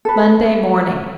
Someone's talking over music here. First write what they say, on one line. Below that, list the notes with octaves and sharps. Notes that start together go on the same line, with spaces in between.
Monday morning.
A4 B4